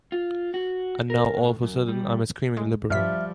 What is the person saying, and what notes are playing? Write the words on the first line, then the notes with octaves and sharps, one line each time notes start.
And now all of a sudden I'm a screaming liberal.
F4
F#4
A#4
A2
F#2
G3
G#3
G2 F3 G3 E5 F6 B6